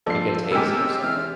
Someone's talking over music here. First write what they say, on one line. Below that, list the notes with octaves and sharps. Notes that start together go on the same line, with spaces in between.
It gets hazy or something?
A#1 F3 A4 D5 C7
C3 G#3 G4 A#4 G#5 D6 E6
E3 F6